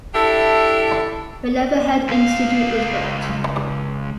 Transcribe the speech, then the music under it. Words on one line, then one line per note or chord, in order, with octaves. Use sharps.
The Letherhead Institute was built.
D4 E4 G4 A4 E5
C#2 F5